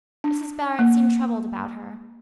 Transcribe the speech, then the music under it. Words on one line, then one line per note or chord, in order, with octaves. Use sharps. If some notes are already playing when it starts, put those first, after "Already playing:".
Mrs. Barrett seemed troubled about her.
D4
A#3